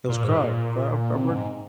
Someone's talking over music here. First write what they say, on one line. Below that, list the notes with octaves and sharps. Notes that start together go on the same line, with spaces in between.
It was Craw Craw Crawford?
A#2
G#2
A#2
C3
G#2